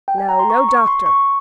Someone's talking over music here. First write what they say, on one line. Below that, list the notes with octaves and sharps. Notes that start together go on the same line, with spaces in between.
No--no doctor.
G5
G#5
A#5
C6
C#6
C#6
C6
C#6